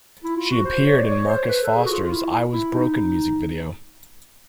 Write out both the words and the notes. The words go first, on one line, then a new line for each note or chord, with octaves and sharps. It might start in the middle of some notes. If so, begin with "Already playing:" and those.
She appeared in Marcus Foster' I was Broken Music Video.
E4
F4
F#4
C5
C#5
D5
C#5
C5
B4
A4
G#4
F#4
F4
F4
E4
E4
D#4